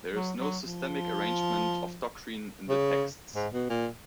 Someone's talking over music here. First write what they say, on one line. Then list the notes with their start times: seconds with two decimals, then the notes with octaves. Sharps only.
There is no systematic arrangement of doctrine in the texts.
0.15 F#3
0.40 F#3
0.66 F3
2.69 C#3
3.35 G#2
3.53 B2
3.70 A#2